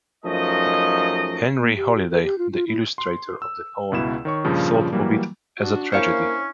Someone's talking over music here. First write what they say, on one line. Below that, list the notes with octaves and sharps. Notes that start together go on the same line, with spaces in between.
Henry Holiday, the illustrator of the poem, thought of it as a "tragedy".
F#2 F3 A3 D#4 G#4 D#5
A#3
G4
F#4
A4
G4
F4
F4
E4
C6
E6
C#2 B2 E4 E7
D#3 C#5 C#6
G2 A#2 C#3 F3
E3 F#3 G3 A#3
D4 F#4
A#3 C#4 E4 C5 C#5 F5